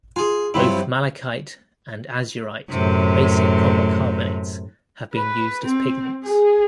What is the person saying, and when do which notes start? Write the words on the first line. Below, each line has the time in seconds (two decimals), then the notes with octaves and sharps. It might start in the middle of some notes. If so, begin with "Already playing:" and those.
Both malachite and azurite basic copper carbonates have been used as pigments.
0.16 F4 G#4 G#5
0.54 G2 F3 F#3 C4 E4
2.70 F#2 A2 C3
5.14 B4
5.65 C4
6.24 G#4